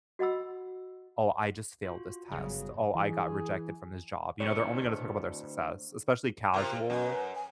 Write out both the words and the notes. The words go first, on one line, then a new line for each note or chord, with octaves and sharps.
"Oh, I just failed this test, oh, I got rejected from this job." You know? They're only gonna talk about their success, especially casual
F#4 D#5 F#5 B5 E6
F4 F#4
G1 C#3 F#3 G#4
E3 G#4
D2 C#5
C3 F4 A#4
F#2 B4
G#5